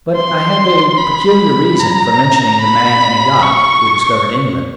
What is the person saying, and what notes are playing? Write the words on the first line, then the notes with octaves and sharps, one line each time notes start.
But I have a peculiar reason for mentioning the man in a yacht, who discovered England.
C6
B5
A#5
B5
C#6